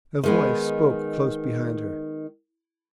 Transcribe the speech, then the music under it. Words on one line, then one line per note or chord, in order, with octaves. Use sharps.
A voice spoke close behind her.
D#3 G#3 B3